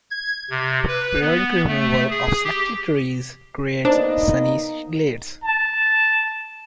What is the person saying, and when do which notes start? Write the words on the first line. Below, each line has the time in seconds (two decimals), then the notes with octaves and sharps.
Periodic removal of selected trees creates sunny glades.
0.10 G#6
0.50 C3
0.87 B4
1.21 B3
1.67 A3
2.10 G#4
2.44 G4
3.85 A#3 B3 D4 D#4 C5 D#5
5.43 A5